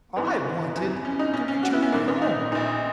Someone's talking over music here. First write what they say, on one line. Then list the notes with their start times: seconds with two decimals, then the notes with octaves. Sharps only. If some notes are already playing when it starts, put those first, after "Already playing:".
I wanted to return home.
0.16 G#1 G#2 E3 B3
0.75 G#1 F#2 E3
1.05 C#4
1.19 D#4
1.34 B1 B2 C#4
1.48 C#4
1.63 F#4
1.73 E4
1.82 C#4
1.92 A#1 G#2 D#3 A#3
2.08 B3
2.22 D#4
2.51 A#1 A#2 D#4